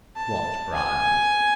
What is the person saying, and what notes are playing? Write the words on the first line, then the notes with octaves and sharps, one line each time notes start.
What bride?
A5
G#5